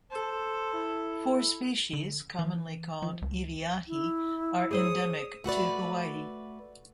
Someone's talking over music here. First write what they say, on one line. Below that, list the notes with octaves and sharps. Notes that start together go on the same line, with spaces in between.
Four species, commonly called "iliahi", are endemic to Hawaii.
A4 C5
E4
D3
E3
F3
C#2
E4
G#4 C5 C#5 D#6
A3 F#4 B4 D5